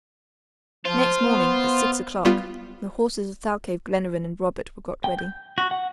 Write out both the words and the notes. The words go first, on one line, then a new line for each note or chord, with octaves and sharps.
Next morning, at six o'clock, the horses of Thalcave, Glenarvan and Robert were got ready.
F3 F4 C5
B3
G3 B3 F4
G5
G6
F#4
F#5